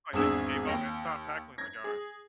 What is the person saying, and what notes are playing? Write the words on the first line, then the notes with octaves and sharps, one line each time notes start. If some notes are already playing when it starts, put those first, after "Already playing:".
Like, they just gave up and stopped tackling the guy.
G#1 E2 D4 G#4 E6 E7
D#2 G5 A#6
G#6 A#6
G#4